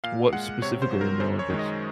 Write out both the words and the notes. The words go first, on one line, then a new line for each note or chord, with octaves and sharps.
What specifically in the Olympics?
A#2 F5
G#3 F#5
C3 C#5
C5
F#3
A#4
F#2 C5
C#5
D#3 G#3
D#5